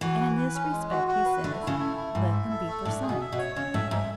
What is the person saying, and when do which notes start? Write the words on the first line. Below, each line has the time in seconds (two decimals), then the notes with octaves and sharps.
And in this respect he says: "Let them be for signs."
0.01 E3 F#4
0.20 B4
0.37 B4
0.54 C#4
0.72 G#3
0.90 F#4
1.07 F#4
1.25 B4
1.43 D3 A3
1.62 E4
1.67 C#3
1.79 A3
1.97 E4
2.14 G#2 E4
2.33 E5
2.50 A4
2.67 A3
2.85 A2 D4
3.02 G#4
3.09 B2
3.21 E5
3.32 B2
3.38 C#5
3.56 C#3 C#5
3.74 A2 E5
3.91 G#2 E5